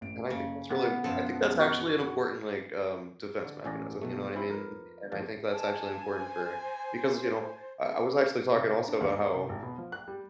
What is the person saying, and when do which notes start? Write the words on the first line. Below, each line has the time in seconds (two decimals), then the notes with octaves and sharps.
And I think that's really I think that's actually an important, like, um, defense mechanism, you know what I mean? And I think that's actually important for because, you know I I was actually talking, also, about how,
0.01 A1 D7
0.30 F#1 C#3
0.71 C3 B3
1.04 F#2 B2 F3 A4
1.59 F#4
3.45 D3
3.64 A1 A2 C#4 G#4 D5 A#5
4.02 B1 B2 A3
4.34 C4 C#4 E4
4.49 F2 A#4 B4
5.12 G#1 F2 G#2 D#3 F3 A5
5.53 G#5 A5
6.17 C5
8.55 C3
8.74 C5
8.88 D4
9.01 D#2
9.21 C4
9.34 C2
9.49 G#1
9.63 B2
9.78 F3
9.92 F#6
10.08 G3